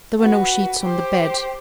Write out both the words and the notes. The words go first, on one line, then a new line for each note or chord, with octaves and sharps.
There were no sheets on the bed.
F#4 B4
G4 C5